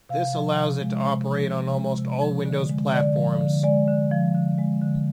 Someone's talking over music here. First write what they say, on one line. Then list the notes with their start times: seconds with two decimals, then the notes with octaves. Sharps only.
This allows it to operate on almost all Windows platforms.
0.09 C3 F5
0.33 F3
0.56 C3
0.81 G#3
1.04 C3
1.28 F3
1.51 C3
1.75 G#3
1.98 C3
2.21 F3
2.46 D3
2.69 G#3
2.93 D3 D5
3.16 F3
3.41 D3
3.63 G#3 D5
3.88 D3
4.11 F3
4.35 D3
4.58 G#3
4.81 D3